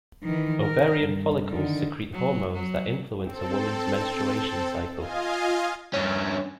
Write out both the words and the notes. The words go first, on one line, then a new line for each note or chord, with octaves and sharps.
Ovarian follicles secrete hormones that influence a woman's menstruation cycle.
D#3 E3
A#4
G2
D3 D#3
F#3
F#3
C4 A4
F4 D#5 F5 G#5
G2 C#4